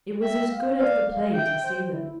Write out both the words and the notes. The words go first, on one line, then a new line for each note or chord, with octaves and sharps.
It was as good as the play to see them.
E5 G5
F5
D5 F5
F5
E5 G5
C5
E4